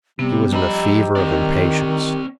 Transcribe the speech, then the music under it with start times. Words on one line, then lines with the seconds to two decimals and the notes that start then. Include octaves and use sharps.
He was in a fever of impatience.
0.19 C3 G3 B3 G4
0.52 F3 D#5 A#5 B5 E6
1.15 D#3 C4 D5